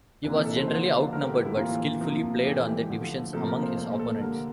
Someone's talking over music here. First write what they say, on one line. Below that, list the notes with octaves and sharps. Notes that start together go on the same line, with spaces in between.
He was generally outnumbered, but skillfully played on the divisions among his opponents.
C3 E3 A#3 D4
E4
A4
C5
D3 F3 A#3 C5
D3 A3 A#4
G4
E4
E4
A2 E3 G3 A#3 F4
C3 F3 A#3
A2 E3 A3 G4
A4
G4
D3 F3 A3
C3 F3 A#3 A4
A#4
C5
A#2 A3 C5
A4
D3 G3 A#3 A#4